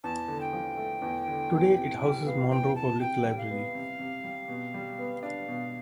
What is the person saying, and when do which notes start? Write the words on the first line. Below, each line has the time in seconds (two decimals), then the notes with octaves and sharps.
Today it houses Monroe Public Library.
0.04 E2 A5
0.28 D3
0.41 G5
0.53 F3
0.77 A3
1.02 E2
1.28 D3
1.52 E2
1.77 C3
2.02 G3
2.26 B3 F5
2.51 E2 G5
2.75 C3 A5
3.01 C3 G5
3.25 G3
3.38 F5
3.50 B3
3.75 C3
3.99 C3
4.24 G3
4.48 B2
4.74 G3
4.99 B3
5.23 D4 F5
5.48 B2